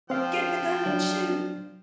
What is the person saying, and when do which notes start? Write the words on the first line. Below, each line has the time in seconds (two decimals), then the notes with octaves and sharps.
Get the gun and shoot!
0.10 F3 C4 F5 G5
0.86 F#3 D4